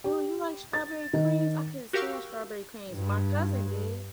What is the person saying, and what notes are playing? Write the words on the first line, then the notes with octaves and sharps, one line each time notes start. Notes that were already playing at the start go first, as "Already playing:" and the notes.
Oh, you like strawberry creams? I couldn't stand strawberry creams. My cousin did.
G4
A6
D#3
F#4 G4 A#4 F5 C#6 E6
G2